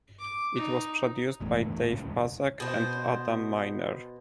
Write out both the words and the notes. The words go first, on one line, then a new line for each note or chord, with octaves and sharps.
It was produced by Dave Puzak and Adam Miner.
D6
D#4
G1 E2 A2 D3
A2
F#1 C#2 C#3
E1
B2 C5